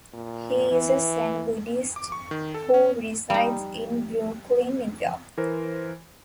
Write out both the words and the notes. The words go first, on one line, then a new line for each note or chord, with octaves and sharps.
He is a Zen Buddhist who resides in Brooklyn, New York.
A#2
E3
D6
C#6
D#3
A4
C#4
G3 D#4
E3 A#4 C5